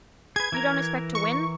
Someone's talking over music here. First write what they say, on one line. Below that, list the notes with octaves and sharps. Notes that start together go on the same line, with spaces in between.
"You don't expect to win?"
G#4 B4 G#6
E3 A#4 A#5
C#6